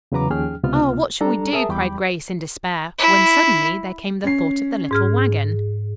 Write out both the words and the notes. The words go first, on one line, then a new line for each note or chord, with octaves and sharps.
"Oh, what shall we do?" cried Grace in despair when suddenly there came the thought of the little wagon.
E2 C#3 F#3 B4 A#5 D6
D#2 F3 C#4 G#4 G5 F6
C#2 C3 B3 F4 F6
G3 D4 A4 A#5
G#4 A#4 E5 A5 D#6
E2 G3 G5 B5 D6 G6
E4
C#4 C7
G#2 G#4 F6